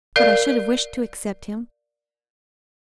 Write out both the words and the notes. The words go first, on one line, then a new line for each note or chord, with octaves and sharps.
But I should have wished to accept him.
A#4 D5 F5